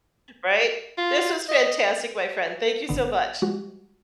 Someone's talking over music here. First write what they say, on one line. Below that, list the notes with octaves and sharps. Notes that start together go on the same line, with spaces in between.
Right? This was fantastic, my friend. Thank you so much.
F4
D#5
G#1 D3 B3
F3 G3 G#3 F#4 G4